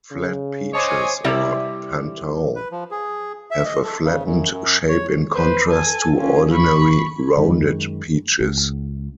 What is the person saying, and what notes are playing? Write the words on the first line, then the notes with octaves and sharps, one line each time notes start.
Flat peaches or "pan-tao" have a flattened shape in contrast to ordinary rounded peaches.
C#3
C5 C#5 D#5 G#5 D6
C3 G3 E4
B4
F3
G#4
E5
D#5
A4
C#3
F#2
F#2
C#5
B4 C5
A4 G#5
C#4 F4
B5 C#6
F#2 D#3 G#3
C#2